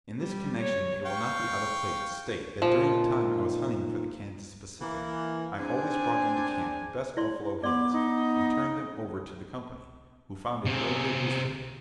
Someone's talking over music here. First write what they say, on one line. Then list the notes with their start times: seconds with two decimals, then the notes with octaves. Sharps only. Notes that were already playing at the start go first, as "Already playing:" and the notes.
In this connection it will not be out of place to state that during the time I was hunting for the Kansas Pacific, I always brought into camp the best buffalo heads, and turned them over to the company, who found a very good use for them.
0.20 G3
0.60 C#5
1.06 F5 G5 C#6
2.62 A#2 D#3 F3
4.81 E3 A#3
5.58 C4 D4 G#4 G#5
7.17 E4 D5 C6
7.64 B3 D5 C6 D6
7.93 D#4
10.65 C3 G#4